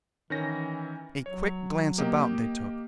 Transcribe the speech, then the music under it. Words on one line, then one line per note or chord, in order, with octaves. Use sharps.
A quick glance about they took.
D#3 E3 C#4 A#6
F#3 C#5
A#3 G4 D#5